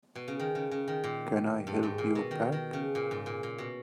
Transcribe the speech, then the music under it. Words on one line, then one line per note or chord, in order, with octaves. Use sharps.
Can I help you pack?
B2
C#3
D#3
C#3
C#3
D#3
A#2
G2
G#2
A#2
B2
D#3
D#3
C#3
A#2
G#2
A#2
A#2
B2